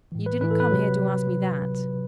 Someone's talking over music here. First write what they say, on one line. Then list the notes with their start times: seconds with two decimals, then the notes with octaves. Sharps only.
You didn't come here to ask me that.'
0.12 A2 E3
0.26 B4
0.41 A2 E3 B4
0.51 A4
0.60 B4
0.71 C3 F#3